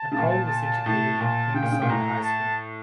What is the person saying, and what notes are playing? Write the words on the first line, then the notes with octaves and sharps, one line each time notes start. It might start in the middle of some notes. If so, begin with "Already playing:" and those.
Nicole was educated at Burnside High School.
Already playing: A5
C#3
A#2
A2 A5
A#2 A5
C#3 G5
A#2
C#3
A#2
A2 A#5
A5